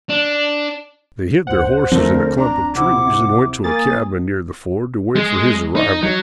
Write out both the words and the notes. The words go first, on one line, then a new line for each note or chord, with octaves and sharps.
They hid their horses in a clump of trees and went to a cabin near the ford to wait for his arrival.
D4
D2 C5 F#5
D2 D3 F3 A3 C4 A#4
D4 A#5
C3 E4 F#5 D6
A#3 G#5 D#6 A6
G#3
D#4
F#3